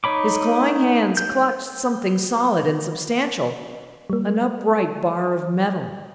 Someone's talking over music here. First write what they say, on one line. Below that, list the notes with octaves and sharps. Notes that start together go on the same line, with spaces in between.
His clawing hands clutched something solid and substantial, an upright bar of metal.
D#4 C#5 B5 D6
G6
G3 A#3